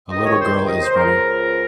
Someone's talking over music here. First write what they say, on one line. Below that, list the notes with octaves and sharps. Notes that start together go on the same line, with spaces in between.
A little girl is running.
C#2 C3 D#3 D#5
C#5
C5
D#5
C5
C#2 C#3 F3 A#4